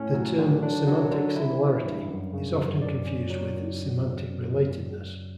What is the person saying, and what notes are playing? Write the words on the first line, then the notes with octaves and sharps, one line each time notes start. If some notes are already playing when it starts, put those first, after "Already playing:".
The term semantic similarity is often confused with semantic relatedness.
Already playing: A2 C#4
F#3
D3
D4
F#3
D3
E4
E3
G2
F#2
C#3
F#2
D5
C#4
F#3